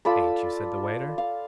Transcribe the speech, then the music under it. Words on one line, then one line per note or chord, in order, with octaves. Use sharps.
'Ain't you?' said the waiter.
F4 A4 D5 B5
F5